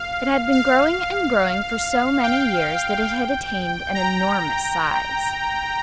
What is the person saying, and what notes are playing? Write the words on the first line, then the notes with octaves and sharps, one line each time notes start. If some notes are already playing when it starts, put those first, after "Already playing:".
It had been growing and growing for so many years that it had attained an enormous size.
Already playing: F5
F5
G5
A#5